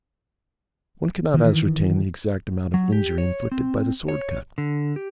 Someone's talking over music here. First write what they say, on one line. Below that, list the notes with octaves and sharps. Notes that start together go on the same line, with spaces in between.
One cannot ascertain the exact amount of injury inflicted by the sword-cut.
D#3 E3
F#3
G4
C#5
C4
C#5
D3
G4